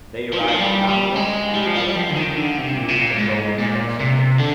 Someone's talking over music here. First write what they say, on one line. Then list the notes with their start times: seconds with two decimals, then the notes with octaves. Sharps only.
They ride the camel and elephant, and use the bow extensively.
0.33 F3
0.41 D#3
0.48 F3
0.60 G3
0.88 G3
1.16 G#3
1.56 G3
1.67 F3
1.76 G3
1.96 F3
2.11 D3
2.16 D#3
2.37 D3
2.58 C3
2.77 A#2
2.88 C3
2.99 A#2
3.18 G#2
3.59 A#2
4.00 C3
4.40 D3